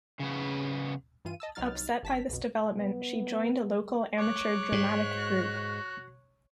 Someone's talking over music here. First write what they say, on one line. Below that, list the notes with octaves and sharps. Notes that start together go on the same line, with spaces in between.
Upset by this development, she joined a local amateur dramatic group.
C#3 B3
G2 E3 F4 D#7
D#5 A5 E6
C2 F#3 D#4 F6 A6
G1 A5 B6
B1 F2 B2
B3
C#5 D6 F#6
G#2
F#4